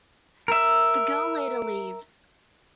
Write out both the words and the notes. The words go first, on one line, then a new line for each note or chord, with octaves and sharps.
The girl later leaves.
A#4 E5